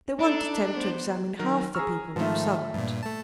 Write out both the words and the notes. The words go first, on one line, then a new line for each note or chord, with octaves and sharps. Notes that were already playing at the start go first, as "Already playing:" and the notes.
They won't attempt to examine half the people they have summoned.
D4 D#4 A4
B3 C5
D#3 F#3 A#4
G#4 A#5 C#6 E6 F6
G#2 D#3 F3 A3
G2 A#2
A3 A5